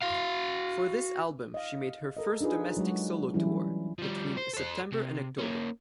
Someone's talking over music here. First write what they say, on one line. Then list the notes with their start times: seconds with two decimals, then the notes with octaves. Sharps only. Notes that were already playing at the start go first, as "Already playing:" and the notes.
For this album she made her first domestic solo tour between September and October.
0.02 F#4 F5
1.54 D#5 F5
2.17 A4 A#4 D#5
2.41 D4 D#4 F4 G#4 B4
2.77 F#3 G#3 F#4
3.34 E3 F#3 G3 C#4 E4
3.98 F3 G3
4.37 C5
4.53 A4 C5
4.93 C3
5.39 A#3 C#4